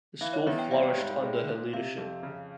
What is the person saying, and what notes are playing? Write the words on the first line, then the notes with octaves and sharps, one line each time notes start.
The school flourished under her leadership.
E3 F5
C#5
E2 E5
G5
G3 F5
G5
G#2
G#3
A#2
C3 F5
F2
C#3